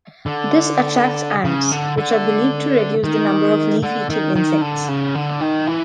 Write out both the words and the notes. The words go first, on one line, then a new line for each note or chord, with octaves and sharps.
This attracts ants, which are believed to reduce the numbers of leaf-eating insects.
D3
C#3
D3
D3
D#3
D3
D#3
D#3
D3
C#3
D3
D#3
E3